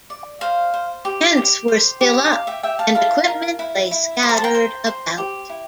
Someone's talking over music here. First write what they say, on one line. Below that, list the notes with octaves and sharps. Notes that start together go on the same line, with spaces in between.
Tents were still up and equipment lay scattered about.
D5
C5 F5
C5
G4
G4
C5
G4
G4 F5
E5 G5
G4 E5 G5
F5 A5
E4 F5 A5
A#4
E4
E4
C5 C6
A#5
A5
G5 A#5
C5
C5
G4
E4